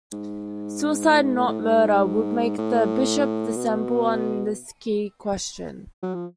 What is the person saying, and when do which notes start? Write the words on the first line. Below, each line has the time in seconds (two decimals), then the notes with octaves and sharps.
Suicide, not murder, would make the bishop dissemble on this key question.
0.12 G#2
1.10 A2
1.23 G#2
1.36 A2
1.48 A2
1.60 G#2
2.58 A2
3.57 B2
6.03 F#3
6.15 F3